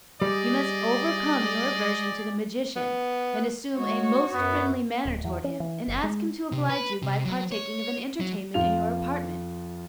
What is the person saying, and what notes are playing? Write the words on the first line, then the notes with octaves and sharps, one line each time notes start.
You must overcome your aversion to the magician, and assume a most friendly manner toward him, and ask him to oblige you by partaking of an entertainment in your apartments.
G3 G#4 D5 D#5
B3
G#3 F#4 C#5
F#2 B3
D1
E2
C#4
E3
F#1
G#3
C3
B4
C3
F#3
C#5
F#3
F2 F4 F7